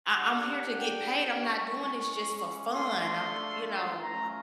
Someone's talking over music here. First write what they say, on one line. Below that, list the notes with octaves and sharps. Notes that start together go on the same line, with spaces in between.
I I'm here to get paid. I'm not doing this just for fun. I you know?
A#3 D4 G4 F#5
G5
G#3 C#4 E4 C#6
A3 D4 F4 C6
A3 C#4 F4 A#5